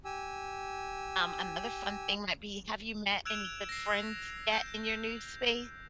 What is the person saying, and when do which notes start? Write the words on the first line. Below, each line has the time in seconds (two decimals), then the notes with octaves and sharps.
um, another fun thing might be have you met any good friends yet in your new space?
0.05 G4 G#5 E6
3.25 E6 F#6 G#6 D7 E7 F7
3.69 A#6 C7
4.53 G6